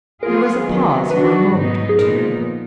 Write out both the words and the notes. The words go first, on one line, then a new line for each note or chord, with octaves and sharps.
There was a pause for a moment or two.
F3 B3 F4 G#4 A#4
D#3 F#3 B3
D#3 F#3 D4 F#4 B4
G#2 F#3 B3 D#4
G#4
A#2 F3 G#3 B3 D#4 A#4